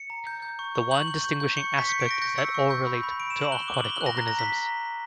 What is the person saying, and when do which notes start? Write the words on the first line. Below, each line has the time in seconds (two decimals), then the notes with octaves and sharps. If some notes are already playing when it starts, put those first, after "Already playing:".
The one distinguishing aspect is that all relate to aquatic organisms.
Already playing: C#7
0.10 A#5
0.27 G6
0.42 G6
0.59 C#6
0.75 C#6
0.91 G6 F#7
1.08 C#6
1.24 G6
1.40 G6
1.57 C#6 C#7
1.73 C#6
1.79 B6
1.89 G6 C#7
2.00 D7
2.05 C#6
2.11 A#6
2.22 G6 A#6
2.38 E6 C#7
2.54 C#6
2.71 G6
2.87 B5
3.03 B5
3.20 B5 D7
3.30 E7
3.36 B5
3.41 F#7
3.52 F#6 G7
3.62 G7
3.68 D6
3.74 F#7
3.85 B5 G7
3.96 F#7
4.01 F#6
4.06 A#6
4.17 A#5 A#6
4.28 A#6
4.33 A#5
4.39 B6